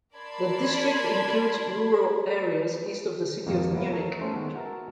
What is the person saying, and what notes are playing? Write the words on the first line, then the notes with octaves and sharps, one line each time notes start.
The district includes rural areas east of the city of Munich.
A#4 D5 A5 B5 C6 G#6
G#1 F2 C3 A#3 F5
A#3 B3 E4
A4 A#4 C#5 E5
A3 C#4 A4 C5 C#5
D#3 G#3 B3
F#4 A#4 E5 A5